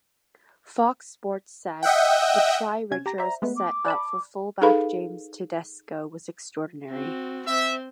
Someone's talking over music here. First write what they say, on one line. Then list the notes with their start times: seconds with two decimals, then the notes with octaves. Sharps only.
Fox sports said, The try Richards set up for fullback James Tedesco was extraordinary.
1.83 D#5 E5 F#5 G5
2.91 C3 C#4 G#6
3.06 G4 A#5 A#6
3.18 C5 D5 E5 A#5
3.42 G#3 A3 B3 B4
3.56 D6
3.86 D5 A5 B5
4.61 D#4 G#4 A4 B4 F5 B5
6.90 C4 F#4
7.47 C4 C5 E5